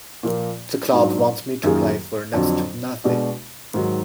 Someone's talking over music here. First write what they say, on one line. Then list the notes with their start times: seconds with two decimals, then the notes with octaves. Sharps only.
The club wants me to play for next to nothing.
0.23 A#2 F3 A#3
0.93 G#2 F#3 D4
1.64 F#2 D#3 A#3 F4 G#4
2.34 F2 D3 F#3
3.04 B2 G#3 D4 F#4
3.74 G#2 D#3 F#3